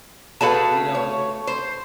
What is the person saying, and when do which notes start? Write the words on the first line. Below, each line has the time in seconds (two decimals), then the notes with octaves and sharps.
you know,
0.41 A3 F#4 G#4 B4 F5 A5
0.95 C#5
1.47 C5